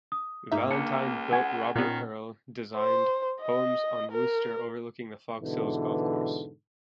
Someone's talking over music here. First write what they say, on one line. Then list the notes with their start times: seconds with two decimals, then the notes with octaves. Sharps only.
Valentine built Robert Earl designed homes on Wooster overlooking the Fox Hills golf course.
0.12 D#6
0.52 G#2 A#3 D#4 E5
0.71 C#2 D4 C#7
1.32 F#5 G#5 G#6
1.76 A#2 D#3 B3 C#4
2.76 C5
3.42 D#5
4.12 A#4
5.40 G#2 B2 D3 E3